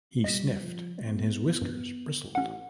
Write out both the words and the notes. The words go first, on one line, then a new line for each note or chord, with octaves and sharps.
He sniffed, and his whiskers bristled.
G3 D#5 A#6 B6
F3
B3
G2
A1 C#4 F#5